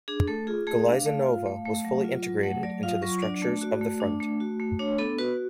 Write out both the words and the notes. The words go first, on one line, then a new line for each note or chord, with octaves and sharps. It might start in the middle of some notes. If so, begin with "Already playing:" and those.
Galiza Nova was fully integrated into the structures of the front.
D4 G#4
A3 A4
F4 G#4
A3 G#4
D4 F5
A3
F4
A3
A3
F#3
F4
F#3
A3 F#5
F#3 D5
F4 F5
F#3 C#6
D4 D5
A3
F#4
A3
D4
A3
F#4
A3
D4 C#5
B3 A4
F#4 B4